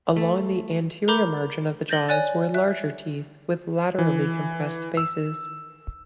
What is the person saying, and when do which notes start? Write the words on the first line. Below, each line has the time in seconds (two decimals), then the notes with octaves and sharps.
Along the anterior margin of the jaws were larger teeth with laterally compressed bases.
0.16 A3
1.08 A#4 A#5 B5 D6 G6 G7
1.89 G6 A6 A#6 F#7 G7
2.09 C#5 D5 G#5 F#6 A6
2.54 E5 F#6
3.99 E3
4.97 E6